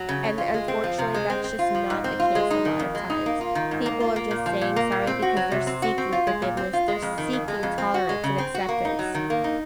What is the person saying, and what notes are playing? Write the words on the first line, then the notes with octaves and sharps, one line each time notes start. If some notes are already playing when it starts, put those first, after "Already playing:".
and unfortunately, that's just not the case a lot of times. People are just saying sorry because they're seeking forgiveness. They're seeking tolerance and acceptance.
Already playing: F#3
C#3
C#4
F4
G#3
C4
F3
C3
G#3
C4
C4
F4
F3
G#2
C4
F4
G#3
D#4
D#3
F2
G#3
D#4
A#3
F4
D#3
G#2
A#3
F4
A#3
A#2
F3
A#2
A#3
A#2
C4
F#4
F#3
C3
C4
F#4
C4
F4
G#3
A#2
C4
F4
G#3
F2
D#3
F2
G#3
F2
C4
F#4
G#3
C#3
C4
F#4
A#3
D#4
F#3
D#3
A#3
D#4